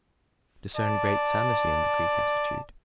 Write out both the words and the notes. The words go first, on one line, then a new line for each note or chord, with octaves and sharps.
I discern great sanity in the Greek attitude.
D5 A5